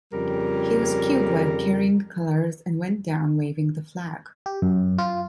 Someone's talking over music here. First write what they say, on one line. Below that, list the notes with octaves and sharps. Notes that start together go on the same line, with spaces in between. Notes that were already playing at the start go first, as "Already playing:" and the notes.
He was killed while carrying the colors and went down waving the flag.
F2 C#3 G3 A#4
G4
F#2
F4